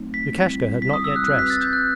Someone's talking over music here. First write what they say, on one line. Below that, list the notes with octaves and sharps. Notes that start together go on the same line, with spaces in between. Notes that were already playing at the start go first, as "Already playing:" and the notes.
Lukashka had not yet dressed.
Already playing: F#3 A3 C4 D#4
B6
G3 C4 E4
B6
D#6
E6
F#6
C4 F#4 B4 F#6
B6
A6
G6
F#6